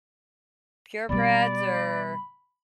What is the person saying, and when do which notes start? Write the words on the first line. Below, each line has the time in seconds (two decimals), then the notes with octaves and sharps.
purebreds or
1.09 B2 G3 D5 B5